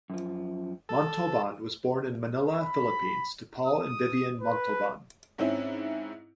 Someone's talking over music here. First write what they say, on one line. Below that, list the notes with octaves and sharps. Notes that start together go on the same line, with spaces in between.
Montalban was born in Manila, Philippines to Paul and Vivian Montalban.
F#2 F3
A4
B5
D#6
B4
G#2 C4 C#4 E4